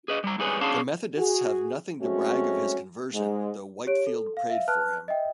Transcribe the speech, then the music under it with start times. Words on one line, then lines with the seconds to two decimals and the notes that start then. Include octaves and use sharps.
The Methodists have nothing to brag of his conversion, though Whitefield prayed for him.
0.08 G#4 B4 D#5
0.24 G3 A#5
0.38 G#2 G3 G#4 B4 C#5
0.61 C#4 D4 G#4 C#5 F5 A5
1.16 F#4 G#4
2.02 F#3 G#3 A3 C4 C#4 F#4
3.14 G#2 G#3
3.87 G4 C#5 D7
4.07 A4
4.37 F5
4.50 E5 F5
4.68 B4 A5 F6 F#6
5.08 D#5 E5 G5